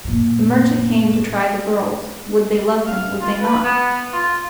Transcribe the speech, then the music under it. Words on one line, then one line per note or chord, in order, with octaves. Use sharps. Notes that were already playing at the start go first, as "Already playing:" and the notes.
The merchant came to try the girls: Would they love him, would they not?
F#2 A#2
F5
F4
B4
B3
F4